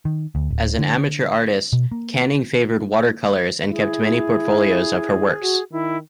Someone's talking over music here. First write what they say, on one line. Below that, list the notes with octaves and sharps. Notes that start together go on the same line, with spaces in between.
As an amateur artist, Canning favoured watercolours and kept many portfolios of her works.
D#3
D2
D1
D3
B2
A#3
E4 G#4
F#4
D#3 E4